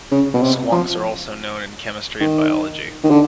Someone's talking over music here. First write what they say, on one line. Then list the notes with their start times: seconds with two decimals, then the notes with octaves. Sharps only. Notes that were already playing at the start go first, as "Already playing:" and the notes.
Squonks are also known in chemistry and biology.
0.11 C#3
0.34 B2
0.42 C3
0.72 F3
2.20 D#3
3.03 D#3
3.10 D3